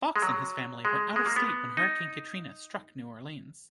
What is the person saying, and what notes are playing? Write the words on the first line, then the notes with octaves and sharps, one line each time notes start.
Fox and his family were out-of-state when Hurricane Katrina struck New Orleans.
G#3
F#3
G#3
G#3
A#3
B3
D#4